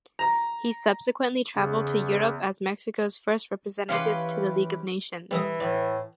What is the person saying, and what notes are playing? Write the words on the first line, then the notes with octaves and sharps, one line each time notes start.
He subsequently traveled to Europe as Mexico's first representative to the League of Nations.
A#5
E2 C#3
E3 C#4 G4 B4 F5 C6 D6
E3 G3 A4 D#5
A2 D5